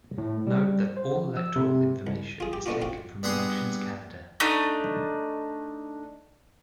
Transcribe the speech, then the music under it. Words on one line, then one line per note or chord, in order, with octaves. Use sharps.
Note that all electoral information is taken from Elections Canada.
A2
G3
C5
F3
E6
C3
C2
F4 G#4
G4
A3 B3 C#4 D4 F4 F#4
C4 F4 F#4
G2 B3 G#4 C6 D#6
A3 D4 D#4